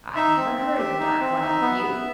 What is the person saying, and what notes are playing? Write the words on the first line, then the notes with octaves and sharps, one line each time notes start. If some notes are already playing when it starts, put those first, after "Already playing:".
"I've never heard of a dark well; have you?"
D#4 E5
C4
C4
G4
D#4
C4
D#4
B3
B3